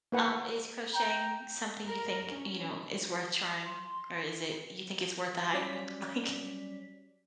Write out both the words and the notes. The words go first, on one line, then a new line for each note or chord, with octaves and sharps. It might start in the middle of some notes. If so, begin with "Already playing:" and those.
um, is crocheting something you think, you know, is worth trying, or is it you think it's worth the hype, like,
A#3 B4 F#5
G5 A#5
A#4
C#4
C6
F#3 G3 C#4 D5 B6